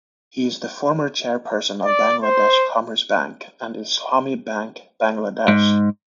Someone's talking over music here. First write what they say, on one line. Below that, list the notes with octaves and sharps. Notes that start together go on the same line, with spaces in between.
He is the former chairperson of Bangladesh Commerce Bank and Islami Bank Bangladesh.
D5
C5
G#2